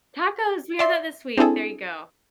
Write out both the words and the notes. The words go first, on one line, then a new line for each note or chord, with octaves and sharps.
Tacos, we had that this week, there you go.
D5 E5 C6
C4 D4 E4 G#4 A4